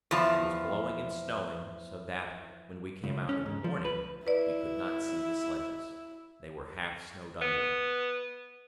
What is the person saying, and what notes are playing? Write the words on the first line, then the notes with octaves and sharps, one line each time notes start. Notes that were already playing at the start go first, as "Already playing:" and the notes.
It was blowing and snowing so that when we came out in the morning we could not see the sledges; they were half snowed under.
E2 F3
C#2
C#4
G#2
F3
B4
E4 B4 D5
B3